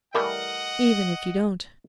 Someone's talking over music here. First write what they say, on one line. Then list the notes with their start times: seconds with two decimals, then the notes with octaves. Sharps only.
Even if you don't.'
0.15 E3 G3 A3 A#4 D#5 F#5